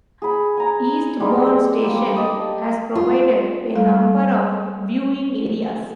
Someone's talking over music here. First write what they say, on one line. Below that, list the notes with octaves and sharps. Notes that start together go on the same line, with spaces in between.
Eastburn Station has provided a number of viewing areas.
G#4 B5
G#5 A#5
G3 G#3 A#3
G4 F5
G4 A4 D#5
F4
G3 A4 F5